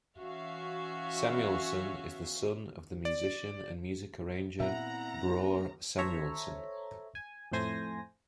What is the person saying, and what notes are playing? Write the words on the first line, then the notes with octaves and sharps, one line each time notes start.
Samuelson is the son of the musician and music arranger Bror Samuelson.
E3 C#4 F#4 E5 F5
D5
A#2 B3 C4 E4 E5 F#5 A#5
A4 C5 C#5 E5 A#5
G#5
F2 A2 A3 C5 G#5 A#6